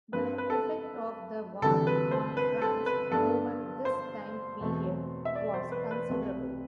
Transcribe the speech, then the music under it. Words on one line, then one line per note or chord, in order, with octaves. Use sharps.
The effect of the war on France over this time period was considerable.
G2 F3 C4 B4
B4
A4
D2 C3 E3 G3 A4
B4
C5
B4
A4
B4
G2 F3 B3 D4 A4
C5
E2 B2 A3 C4
E5
D5
C5
B4
B4
C2 C3 F3 A3